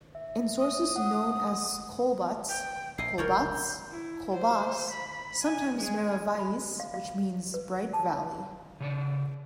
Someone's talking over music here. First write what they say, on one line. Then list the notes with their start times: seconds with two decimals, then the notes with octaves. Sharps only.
In sources known as "Colbatz", "Kolbatz", "Colbas", sometimes "Mera Vallis" which means "Bright Valley".
0.15 E5
0.60 D#6
0.96 F#5
2.49 G5
2.98 A#1 E4 D#5 C7
3.18 F1 C#2 A2 A#4 C#5 D5 G6
3.91 E4
4.32 C5
4.91 B5
5.43 G#5
5.76 G#3 G#4
6.39 B5
6.80 F5
6.94 F5
7.54 B4
7.93 A5
8.80 C#3 A4 D5